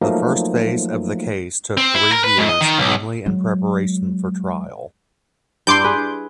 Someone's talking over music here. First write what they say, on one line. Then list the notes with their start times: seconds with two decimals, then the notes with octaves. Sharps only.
The first phase of the case took three years, mainly in preparation for trial.
0.02 F3 F#3 A3 A#3 D#4
1.77 C4
1.95 E4
2.12 A#4
2.24 B4
2.37 G#2
2.49 D#5
2.61 D#3
2.78 B1
3.26 F#3 G#3
5.67 G2 E4 C6 D6 G6
5.84 G#4 B4